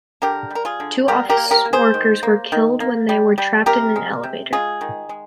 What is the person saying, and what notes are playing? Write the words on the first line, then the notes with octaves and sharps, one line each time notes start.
Two office workers were killed when they were trapped in an elevator.
D3 G4 A#4
G3 A#4
F4 G#4
D3
G3 G4 A#4
G4 A#4
A#3
G4 A#4
A#3
G#4 C5
D#3
A#3
D#3
A#3
G3
G3
C3 G4 A#4
G#3
C3
G#3 F4 G#4
D#3
G#3